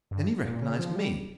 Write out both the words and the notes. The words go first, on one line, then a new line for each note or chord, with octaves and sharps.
Then he recognised me.
G2
A#2
C#3
F3
G3